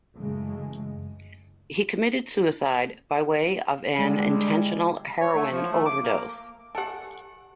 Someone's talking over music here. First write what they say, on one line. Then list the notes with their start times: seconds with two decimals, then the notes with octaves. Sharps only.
He committed suicide by way of an intentional heroin overdose.
0.18 F#2 C#3 E3 G#3 A3
3.99 D3 G3 G#3
5.21 C#5
5.35 A3
5.51 F3
5.71 A3
5.86 D6
6.03 A#3
6.75 G4 A4 F#5 G#5